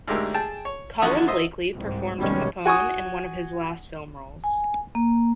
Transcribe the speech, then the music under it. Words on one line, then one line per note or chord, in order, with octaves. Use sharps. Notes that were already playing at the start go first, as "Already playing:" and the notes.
Colin Blakely performed Peppone in one of his last film roles.
D2 G#2 G#3 G4 A#4 E6
G#4 G5 A5
C#5
E2 D3 F3 F#4 C#6 D#6
C5 D#5 E5
C2 G#2
F1 B1 D#3 G3 G#3 C#4
F#4 G#5 C#6 D#6
G#5
A#3